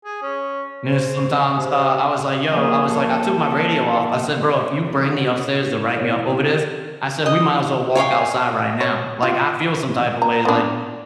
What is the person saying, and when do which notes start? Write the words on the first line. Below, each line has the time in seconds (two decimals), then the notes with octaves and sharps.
And then sometimes, uh, I was like, "Yo" I was like, "I took my radio off," I said, "Bro, if you bring me upstairs to write me up over this," I said, "We might as well walk outside right now, like, I feel some type of way, like"
0.05 G#4
0.22 C#4
0.85 C4
1.53 C3
2.52 F3 A#3 G#4
2.87 A4
4.84 F#2 G3 D5
5.10 F#2 G3 F#4
5.36 C#4 E4 B4
5.96 E3 B3 E4 A#4 C#5
6.16 E3 G3 A#3 G5 G#5
6.41 G4 A4
7.26 D#5
7.95 C#5 F5 G5 G#5
8.81 C#5
9.23 F4
10.22 A#5
10.45 B3 D4